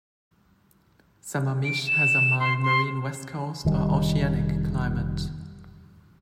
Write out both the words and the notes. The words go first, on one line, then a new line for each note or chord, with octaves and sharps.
Sammamish has a mild Marine West Coast or oceanic climate.
D7
E7
C6
C6
F1 D#3 G3